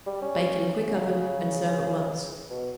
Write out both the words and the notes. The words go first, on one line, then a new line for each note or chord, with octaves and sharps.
Bake in a quick oven and serve at once.
G3
C#4
C#3
B2